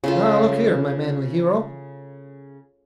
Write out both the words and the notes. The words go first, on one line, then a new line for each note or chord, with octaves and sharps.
Now, look here, my manly hero.
C#3 A3 F4